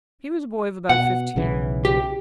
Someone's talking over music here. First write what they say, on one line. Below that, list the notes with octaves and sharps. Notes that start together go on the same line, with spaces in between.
He was a boy of about fifteen.
B2 F#5
B1 C#3 E3
G4